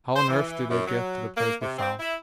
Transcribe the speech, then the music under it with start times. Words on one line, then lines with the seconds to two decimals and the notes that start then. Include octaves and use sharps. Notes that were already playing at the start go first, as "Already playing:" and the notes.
How on earth did they get to the place where found?
0.16 C5
0.30 E3
0.71 F#2
0.88 F#3
1.37 A#3
1.62 C3
1.79 C4
2.00 E4